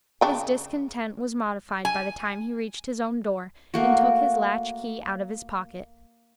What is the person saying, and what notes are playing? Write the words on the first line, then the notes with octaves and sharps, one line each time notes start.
His discontent was modified by the time he reached his own door, and took his latch-key out of his pocket.
C#3 D4 G5
G#5
A3 A#3 F#4